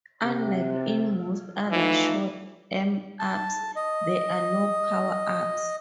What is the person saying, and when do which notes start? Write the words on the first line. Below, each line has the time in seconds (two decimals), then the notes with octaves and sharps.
Unlike in most other shoot 'em ups, there are no power-ups.
0.23 C3
1.71 E3 F3 A3 D#4
3.20 A5
3.76 D#5